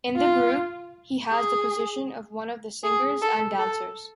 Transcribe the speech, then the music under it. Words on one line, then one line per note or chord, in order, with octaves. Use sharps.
In the group, he has the position of one of the singers and dancers.
F4
G#4
G#4
A4
A4